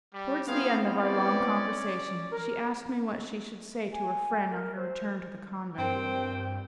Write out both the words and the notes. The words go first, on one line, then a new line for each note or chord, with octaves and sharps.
Towards the end of our long conversation, she asked me what she should say to her friend on her return to the convent.
G3
B3 C4 E4 G#4 C5 F5
C#4 D5
A#4
G#5
A#4
C5
G2 C4 A#4 C5 G5 C6